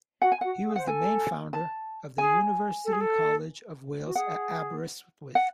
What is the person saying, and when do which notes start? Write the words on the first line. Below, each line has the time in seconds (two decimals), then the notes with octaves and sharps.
He was the main founder of the University College of Wales at Aberystwyth.
0.22 F#4 F#5
0.32 G#5
0.41 F#4 F#5
0.65 G#4
0.76 C5 F#5
0.87 A4 G#5
1.53 A5
2.18 G#4 G#5
2.84 A4
2.92 G#4
3.00 A4
4.06 F#4
4.15 G#4 F#5
5.35 F#5